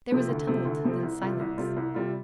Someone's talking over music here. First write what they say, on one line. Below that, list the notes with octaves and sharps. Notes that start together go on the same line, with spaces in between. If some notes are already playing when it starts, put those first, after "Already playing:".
There was a tumult, then silence.
C3 F3 C4
D2
C3 F3 C4
D2
C3 F3 C4
C2
C3 G3 F4
C2
C3 G3 F4
C2
C3 G3 F4